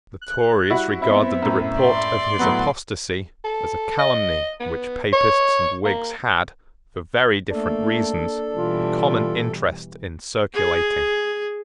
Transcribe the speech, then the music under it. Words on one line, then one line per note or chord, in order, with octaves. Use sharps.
The Tories regarded the report of his apostasy as a calumny which Papists and Whigs had, for very different reasons, a common interest in circulating.
F#6
G3 E4 F#4
B3 C4 E4 E5
F#2 A2
D5 C6
A2 F#3 B3 F#5
A4
D#5
B3
C#5
A#3
A3 A#3 D4 A4
B2 E3 G3 F4
G#4